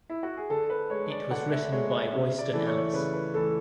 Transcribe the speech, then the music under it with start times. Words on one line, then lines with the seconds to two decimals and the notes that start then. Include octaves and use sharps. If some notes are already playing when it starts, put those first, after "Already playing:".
It was written by Royston Ellis.
0.09 E4
0.23 F#4
0.37 G#4
0.50 D3 A4
0.70 B4
0.90 G#3 C#5
1.11 D5
1.30 D3 F#5
1.52 E5
1.71 G#3 C#5
1.92 E5
2.12 C#3 E5
2.39 D5
2.53 E3 A3
2.67 C#5
2.93 C#3 B4
3.13 B4
3.34 E3 A3 A4